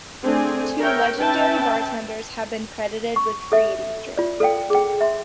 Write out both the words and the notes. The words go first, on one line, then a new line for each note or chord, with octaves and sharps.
Two legendary bartenders have been credited with creating the drink.
A3 C4 D4 G#4 G#5
A#4 C#5 E5 G5
C#4 B4 E5 G5 A5
C#6
A4 E5
F4 D5
A4 D5 F5 G5
G#4 G5
E5 C6